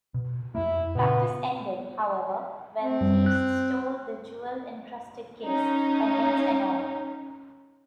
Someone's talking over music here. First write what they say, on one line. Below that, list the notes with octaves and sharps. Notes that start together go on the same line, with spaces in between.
The practice ended, however, when thieves stole the jewel-encrusted case, contents and all.
B2
F2 A#3 E4
A#2 C#3 B3
C4
F#2 G3
F#6
C#4 D#4